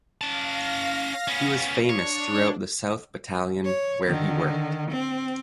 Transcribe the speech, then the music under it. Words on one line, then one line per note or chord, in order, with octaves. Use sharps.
He was famous throughout the South Battalion where he worked.
C#4 F5 A5 A#6
B3 C#4
D4 C#5
C#5
D3 D#3
C4